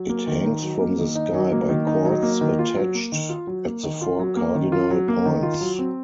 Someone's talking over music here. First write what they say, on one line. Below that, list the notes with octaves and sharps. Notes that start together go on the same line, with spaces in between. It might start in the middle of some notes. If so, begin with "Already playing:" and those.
It hangs from the sky by cords attached at the four cardinal points.
Already playing: F#3
A#3
D#3
D#4
F#3
A#3
D#3
D#4
F#3
A#3
D#3
D#4
F#3
A#3
D#3
F4
F#3
A#3
D#3
F4
F#3
A#3
D#3
F4
F#3
A#3
D#3
F4
F#3
A#3
D#3
F4
F#3
C4